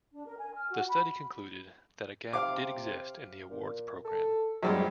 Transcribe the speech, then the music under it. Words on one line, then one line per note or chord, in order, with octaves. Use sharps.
The study concluded that a gap did exist in the awards program.
D4
A#4
G#5
F6
F#4
B5
C3 F5 D6
A#2
A4
F#2 F3 G3 G#3